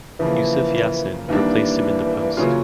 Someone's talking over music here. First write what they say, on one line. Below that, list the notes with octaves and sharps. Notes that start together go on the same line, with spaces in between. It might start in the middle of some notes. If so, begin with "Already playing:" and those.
Yusuf Yasin replaced him in the post.
C#3 E3 F3 A#3
D#2 D#3 E3 G3 A#3 D4
C#3 F#3 A#3 C#4 F4